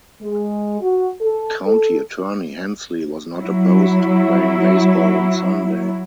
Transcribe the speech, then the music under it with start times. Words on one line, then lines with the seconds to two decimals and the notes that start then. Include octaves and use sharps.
County attorney Hensley was not opposed to playing baseball on Sunday.
0.22 G#3
0.81 F#4
1.21 A4
1.67 A4
3.38 F#3 E4